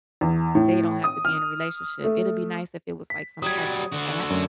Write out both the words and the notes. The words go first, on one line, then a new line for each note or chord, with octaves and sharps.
they don't have to be in a relationship, it'd be nice if it was, like, some type of app,
E2
A2
D#6
F6
A3
B6
F#3 G3 D#6 G#6
D3 F#4
F#2